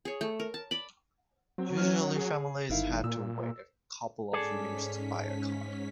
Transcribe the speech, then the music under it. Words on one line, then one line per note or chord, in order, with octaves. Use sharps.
Usually families had to wait a couple of years to buy a car.
G#4 C#5
A3
A#4
A5
D5 B5
F#3 C4
C#4 F#4 F6
G#4
G1 D#3 E4 F5
A#2 E6
G#2 C#4 G#4 A4 D5 B6